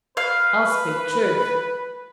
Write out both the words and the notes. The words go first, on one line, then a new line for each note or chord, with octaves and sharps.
I'll speak truth.
B4 F5